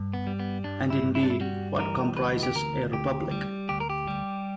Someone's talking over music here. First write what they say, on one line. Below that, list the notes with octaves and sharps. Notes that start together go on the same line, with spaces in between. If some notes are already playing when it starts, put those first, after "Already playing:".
And indeed, what comprises a Republic?
Already playing: G2
B3
G3
B3
G2 D4
E4
G2
E4
D4
E4
G3 F#4
E3 A#4
D2 B4
G4
D2 A#4
D2 G4
G3
D2 G4
A#4
G4
G3